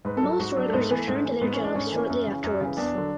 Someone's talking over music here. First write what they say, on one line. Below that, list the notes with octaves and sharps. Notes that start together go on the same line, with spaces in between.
Most workers returned to their jobs shortly afterwards.
G#2 B4
A4
F#3
A4
G#2 F#4
F#3 D4
A3
G#2 B3
A3
E3 B3
A3
G#2
E3
G#2 B3
E3 C#4
D4
G#2 C#4
A3
E3
C#4
F#2
C#3 E3
F#2
C#3 E3
E2 D4
D3 F#3